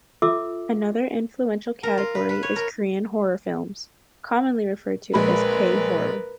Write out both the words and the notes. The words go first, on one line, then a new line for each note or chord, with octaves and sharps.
Another influential category is the Korean horror films, commonly referred to as "K-horror".
F4 A4 E5 D6 E6
A#4
F4
B4
B4
C#5
A#4
A#1 G#3 A#4 B4 B5